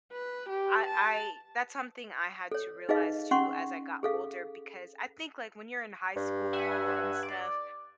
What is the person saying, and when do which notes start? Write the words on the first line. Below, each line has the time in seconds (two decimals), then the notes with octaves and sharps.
I I that's something I had to realize too, as I got older, because I think, like, when you're in high school and stuff,
0.12 B4
0.49 G4
0.85 A5
2.52 A4 C#5
2.89 D#4 G#4 B4 D#5 F5
3.31 C#4 F#5 C6 C#6
4.03 G#4 A4 F5
6.16 G2
6.53 E5 F#5 G#5
7.23 D5